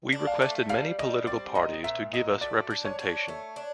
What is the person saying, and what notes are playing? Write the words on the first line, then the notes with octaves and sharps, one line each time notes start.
We requested many political parties to give us representation.
D4
F5
A3
G3 F5
G3 D#5
C4 D5
A#2 D#5
A#2 E5
F#3 D#5
A3 D5
D4
C#5
D4
A3
D4